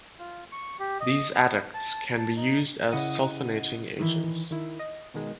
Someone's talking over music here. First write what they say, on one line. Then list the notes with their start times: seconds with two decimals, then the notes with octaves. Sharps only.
These adducts can be used as sulfonating agents.
0.19 F4
0.52 C#6
0.79 G4
1.00 D#5
1.33 B3
1.74 A5
2.18 A5
2.36 D#4
2.92 C#3 E4 D#5 F#5 D#7
3.99 D#3 E3 E4
4.51 D#3 E4
4.79 D#5
5.14 B2 D#3 G#3